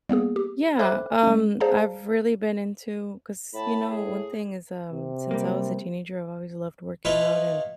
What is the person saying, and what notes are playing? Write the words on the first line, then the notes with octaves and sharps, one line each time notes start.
Yeah, um, I've really been into 'cause, you know, one thing is, um, since I was a teenager, I've always loved working out and
G3 A#3 B3 G#4
G4
A4 C5 E5 B5 D6 F#6
G#3 C#4
G#4 C5 D5 F5 A5 A#5
A2 A5 B5
G#4
C3
G3 A#3
E4 F4 A4 B4 C#5 D#5